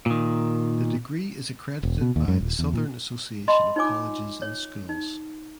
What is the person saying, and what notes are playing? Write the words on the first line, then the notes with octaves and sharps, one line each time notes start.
The degree is accredited by the Southern Association of Colleges and Schools.
A#2 D#3
E1
B2
D#2
F#2
D#1
E2
A#2
D#5 A5 B5 C6
D#4 F4 C#5 G#5 D6
C#5
D#4